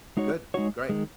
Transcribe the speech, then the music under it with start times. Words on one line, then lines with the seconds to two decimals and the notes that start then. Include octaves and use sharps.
Good. Great.
0.17 G#3 D#4 F#4 C#5
0.54 G#3 D#4 F#4 C#5
0.89 D#3 G#3